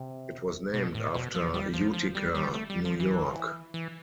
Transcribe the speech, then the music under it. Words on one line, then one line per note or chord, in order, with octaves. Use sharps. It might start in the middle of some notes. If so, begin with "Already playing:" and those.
It was named after Utica, New York.
Already playing: C3
B2
A2
B2
F3
G3
F3
F3
G3
G3
A3
G3
F3
E3
E3